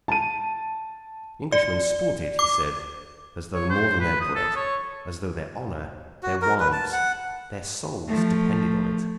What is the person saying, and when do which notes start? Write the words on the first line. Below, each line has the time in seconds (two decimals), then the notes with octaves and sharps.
Englishmen sported, he said, as though more than their bread--as though their honor, their wives, their souls, depended on it.
0.08 A5 D#7
1.52 D5
2.39 D6
3.54 C#5
3.70 C5
4.00 B4
4.21 D#6
4.36 A4
4.56 C#5
6.23 F#4
6.42 A#4
6.60 B4
6.73 A5
6.93 F#5
8.07 F3 A3